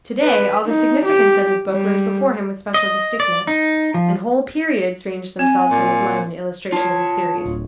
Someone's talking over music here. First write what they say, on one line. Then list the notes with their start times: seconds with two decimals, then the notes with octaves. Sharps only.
Today all the significance of his book rose before him with special distinctness, and whole periods ranged themselves in his mind in illustration of his theories.
0.23 B4
0.65 D#4
1.04 G4
1.71 G3
2.74 D#5
3.20 D5
3.47 D#4
3.94 F3
5.39 C4 G#5
5.71 A#2
6.72 F4 C#5 A5
7.45 D1